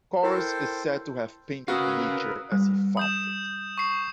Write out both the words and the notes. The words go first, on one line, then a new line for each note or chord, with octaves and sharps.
Choris is said to have painted nature as he found it.
E4 A4 A#4 C5 G5
C#4 F#4 A#4 B4 F5 D#6 E6 F#6
G3
D#6 G6 E7
C#6 C7